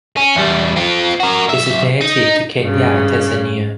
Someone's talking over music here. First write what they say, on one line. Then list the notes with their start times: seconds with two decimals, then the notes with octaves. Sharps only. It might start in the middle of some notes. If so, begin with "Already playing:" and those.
It is native to Kenya and Tanzania.
0.17 C#4
0.37 E2 G3
0.77 C4 F4
1.20 F#4 A#4
1.49 B1 E5
2.01 D#4
2.61 G2 C#3